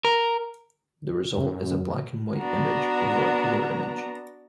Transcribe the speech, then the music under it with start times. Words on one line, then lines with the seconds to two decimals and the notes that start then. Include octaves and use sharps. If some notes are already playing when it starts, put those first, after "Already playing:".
The result is a black-and-white image over a color image.
0.05 A#4
1.37 F#2
2.35 B3 D4 F#4 A#5